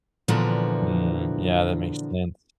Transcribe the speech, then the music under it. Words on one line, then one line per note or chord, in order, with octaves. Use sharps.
Mm, yeah, that makes sense.
A#2 D3 E3 F3 B3 F#4